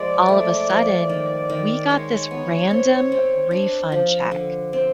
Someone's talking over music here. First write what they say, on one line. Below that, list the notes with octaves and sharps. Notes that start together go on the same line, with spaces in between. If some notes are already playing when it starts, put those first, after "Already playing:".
all of a sudden, we got this random refund check
Already playing: F3 G#3 D5
A3
F3
D#3
D#3
G#3 C#5
B3
C4
C4
D4
F3
D3
C4